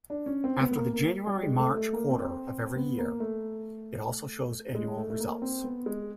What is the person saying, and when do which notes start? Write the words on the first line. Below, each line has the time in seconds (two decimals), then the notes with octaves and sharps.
After the January-March quarter of every year, it also shows annual results.
0.10 D4
0.26 C#4
0.44 C4
0.60 B3
0.71 B3
0.76 A#3
0.93 A#3
1.27 G3
1.43 G#3
1.59 A3
1.77 A3
1.93 A#3
2.09 C4
2.76 B3
2.98 A#3
3.20 A3
4.75 G#3
4.97 A3
5.10 A3
5.20 A#3
5.42 C4
5.64 B3
5.86 G#3